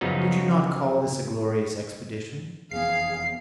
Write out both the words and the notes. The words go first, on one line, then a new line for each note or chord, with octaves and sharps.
Did you not call this a glorious expedition?
F#2 C#3 F3 F#3 B3 D#4
F1 E2 B3 G#4 F5 C7